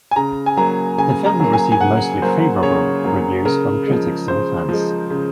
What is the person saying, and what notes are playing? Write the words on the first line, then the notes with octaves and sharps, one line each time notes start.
The film received mostly favorable reviews from critics and fans.
G#5
C#3 A#5
G#5
F#3 A#3 A#5
C#3 G#5
A#5
F#3 A#3
G#5
G#5
C#3 F#5
F#3 A#3 C5
C#3 C#5
F#3 A#3
C#3 A#4
F3 G#3
C#3 C5
F3 G#3
C#3